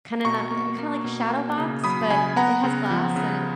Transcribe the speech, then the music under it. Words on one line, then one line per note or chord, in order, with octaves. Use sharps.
kinda n uh, kinda, like, a shadow box, but it has glass and it
B2 A#5 C#6
A#3
A#3
B2
A#3
C#3
F#3 B5 D#6
C#3 G#5 B5
B3 F#5 A#5
C#3
F3
C#3